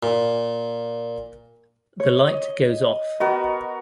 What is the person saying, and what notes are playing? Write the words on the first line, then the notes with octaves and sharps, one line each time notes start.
The light goes off.
A#2
C#5
D#5
B3 F#4 A#4 D#5